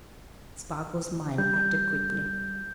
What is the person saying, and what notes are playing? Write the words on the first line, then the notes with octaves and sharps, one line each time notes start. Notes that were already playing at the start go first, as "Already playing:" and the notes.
Spargo's mind acted quickly.
G3 G6